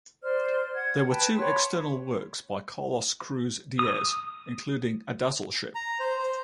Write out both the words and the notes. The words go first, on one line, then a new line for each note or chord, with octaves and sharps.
There were two external works by Carlos Cruz-Diez, including a Dazzle Ship.
C5 D5 F6
F#5 G#6
B4 G5 A5
C#5 F#5 B5 C6
D#6
A#5
C5
C5